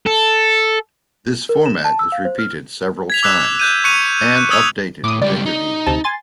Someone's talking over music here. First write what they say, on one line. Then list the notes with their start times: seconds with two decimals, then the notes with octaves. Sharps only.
This format is repeated several times and updated with interviews.
0.06 A4
1.49 A#4
1.66 E7
1.85 A5
1.99 E6
2.12 F5
2.25 C5
2.38 F6
3.10 G#6 B6 F7
3.23 D6 E6 F#6 B6 E7
3.59 F#6 G6 D#7
3.84 C#6 F#6 C#7 D#7 F7
4.36 F#6
4.51 D#6 E6 G#6 D#7 F7
5.04 A2 D6 D#6
5.22 C#2 G3 D5
5.46 D#4
5.86 D2 C3 A5
6.04 G#5 C6 A6